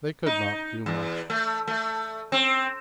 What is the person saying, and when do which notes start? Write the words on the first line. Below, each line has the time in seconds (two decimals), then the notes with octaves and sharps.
They could not do much.
0.26 D#4
0.86 E2
1.30 A3
1.67 A3
2.32 C4